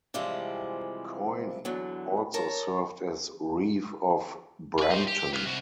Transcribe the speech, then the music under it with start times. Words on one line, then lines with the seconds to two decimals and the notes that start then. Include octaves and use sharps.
Coyne also served as reeve of Brampton.
0.14 C3 E3 F3 G3 G#3 C4
1.65 E2 D3 F#3
2.34 A#4 C#5 A5
4.79 A#4 B4
4.91 D#4 C5
5.08 G4
5.33 B4 F5
5.46 C3 F#4